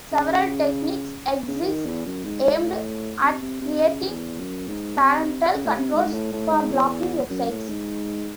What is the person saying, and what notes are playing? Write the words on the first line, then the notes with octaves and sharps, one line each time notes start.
Several techniques exist aimed at creating parental controls for blocking websites.
C#3
C#3
E3
D#3
E2
F#2
G#2
G#2
A2
C3
C3
C3
C#3
E2
F#2
G#2
C3
C#3
A2
C3
G#2
G#2
A2
A2
G#2
E2
F#2
A2
G#2